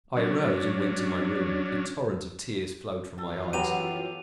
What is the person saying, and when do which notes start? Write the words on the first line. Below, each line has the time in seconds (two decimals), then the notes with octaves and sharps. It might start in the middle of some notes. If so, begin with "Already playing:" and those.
I arose, and went to my room; a torrent of tears flowed from my eyes.
0.16 F#3 C#4 D4
3.18 F#2 E3 F4 A4
3.53 F#3 B3 G4 D#7 F7